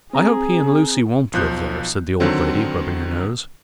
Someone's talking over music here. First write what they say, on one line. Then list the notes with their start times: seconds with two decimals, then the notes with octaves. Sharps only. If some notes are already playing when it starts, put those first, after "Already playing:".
"I hope he and Lucy won't live there," said the old lady, rubbing her nose.
0.13 C4 G#4 A#5
1.33 B1 F3 F#6 G6
2.20 D3 D#3 F#3 C4